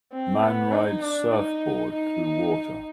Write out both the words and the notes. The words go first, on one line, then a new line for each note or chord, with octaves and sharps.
Man rides surfboard through water.
C4
B3
D#4
D4
D#4
D#4